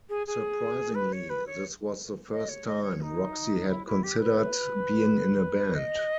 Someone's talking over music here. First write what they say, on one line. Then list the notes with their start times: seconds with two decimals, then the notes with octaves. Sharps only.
Surprisingly, this was the first time Roxy had considered being in a band.
0.09 G#4
0.26 G#4
0.94 B4
1.12 C#5
1.29 B4
1.46 C#5
2.31 D#5
2.48 C#5
2.67 D#5
2.82 C#5
3.01 D#4
3.68 E4
3.86 E4
4.03 G4
4.20 B4
5.74 D#5